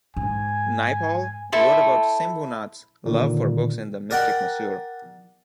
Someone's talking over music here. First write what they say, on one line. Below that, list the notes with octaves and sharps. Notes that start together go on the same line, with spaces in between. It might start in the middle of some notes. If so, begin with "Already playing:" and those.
Naipaul, wrote about Simbhoonath's love for books in The Mystic Masseur.
G#2 G#5
E4 A4 C5
A#2 D3 D#3
A#4 D5 F#5 G5